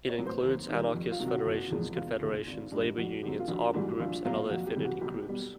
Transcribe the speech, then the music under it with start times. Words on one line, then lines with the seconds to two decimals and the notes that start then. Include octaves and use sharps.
It includes anarchist federations, confederations, labour unions, armed groups, and other affinity groups.
0.09 C#5
0.18 A2 F#3
0.26 C5
0.43 D#2
0.68 D#3 G3
0.94 F2
1.11 F4
1.19 C3 D#3 F#3
1.28 F#4
1.46 F#1
1.70 E2 C#3 F3 G#3
1.96 E1 F4
2.21 D2 C#3
2.47 G#1
2.72 G2 D#3 G3
2.98 F2 F#4
3.23 D3 F#3 G4
3.40 F4
3.48 A#1 F#4
3.74 G#2 E3 G3 F#4
4.00 A#1 F4
4.25 A#2 F#3 F4
4.50 F2 F#4
4.67 G4
4.76 C#3 E3 G3
4.85 F#4
5.01 B1 G4
5.27 B2 G3